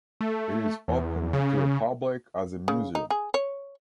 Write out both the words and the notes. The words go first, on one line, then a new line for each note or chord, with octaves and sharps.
It is open to the public as a museum.
A3
E2
C#3
C#3
D#4
G#4
C#5